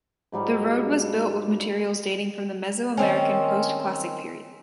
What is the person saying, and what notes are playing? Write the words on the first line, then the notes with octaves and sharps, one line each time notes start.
The road was built with materials dating from the Mesoamerican Postclassic Period.
G#2 F#3 G3 F5
D#3 C4 C#4